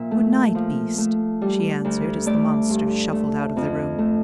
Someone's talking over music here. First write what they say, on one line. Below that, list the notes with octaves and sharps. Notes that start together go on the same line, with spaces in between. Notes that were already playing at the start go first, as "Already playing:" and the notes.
"Good night, beast," she answered, as the monster shuffled out of the room.
Already playing: A#2 F3 E5
A3
F3
A3
G3
D2
A3 D5
G2
A3
F2
A3